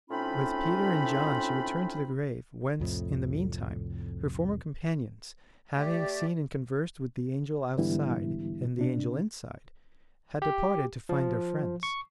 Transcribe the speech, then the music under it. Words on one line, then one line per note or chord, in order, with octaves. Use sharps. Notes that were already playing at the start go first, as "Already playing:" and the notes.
With Peter and John she returned to the grave, whence, in the mean time, her former companions, having seen and conversed with the angel outside and the angel inside, had departed to find their friends.
A2 C4 C#4 D#4 F4 B5
C2 F2 A2 C3
A3 G4 D5
G#2 D3 E3 G3 B3 E4
C3 D4
G4
F3
C#6